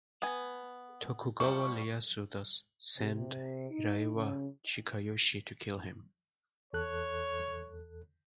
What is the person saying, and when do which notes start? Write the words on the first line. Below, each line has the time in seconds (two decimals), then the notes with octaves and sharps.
Tokugawa Ieyasu thus sent Hiraiwa Chikayoshi to kill him.
0.22 B3 G#5
1.40 F3 G3 C#6
2.97 C3
3.70 D#4
4.13 C#3
6.73 E2 A4 C#5 F#6